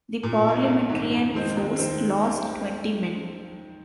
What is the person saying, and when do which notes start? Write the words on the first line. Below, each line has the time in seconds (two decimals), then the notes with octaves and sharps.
The Parliamentarian force lost twenty men.
0.23 A#2
0.45 A#3 D#4
0.68 A#1
0.89 G#2 D#3
1.13 F2
1.34 D#3 G#3 C4 D#4
1.57 D#2
1.79 D#3 C4